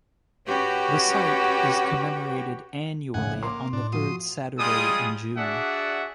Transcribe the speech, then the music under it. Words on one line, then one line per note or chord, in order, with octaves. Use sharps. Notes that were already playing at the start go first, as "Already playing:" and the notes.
The site is commemorated annually on the third Saturday in June.
C#4 F#4 G4 B4 G5
A#1 A2 C#3 F#5 G#5
A#3 C6 D6
A2 D4
F3 F#4 C6 D#6
G3 G#3 F4 G#4 D#6
D4 F#4 G#4 D5 E5 F#5